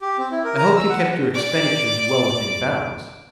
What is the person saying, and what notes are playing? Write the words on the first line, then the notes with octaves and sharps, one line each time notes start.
"I hope you kept your expenditures well within bounds?"
G4
C4
E4
A#4
A#5
E6
F#5
D5 D6